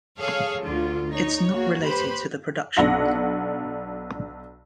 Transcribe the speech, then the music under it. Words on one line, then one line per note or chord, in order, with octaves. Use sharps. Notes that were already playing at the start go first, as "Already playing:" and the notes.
It's not related to the production model.
G#4 A4 C#5 F5
D2 D3 F4
D#4 C#5
A#3 F#4 G#4
G4 B4 C5 B5
B1 D4 F#5 A#6